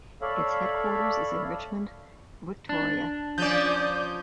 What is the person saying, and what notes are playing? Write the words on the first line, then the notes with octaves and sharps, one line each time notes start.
Its headquarters is in Richmond, Victoria.
A4 C#5 D5 E5 F5 B5
D4
F3 C#4 D5 G6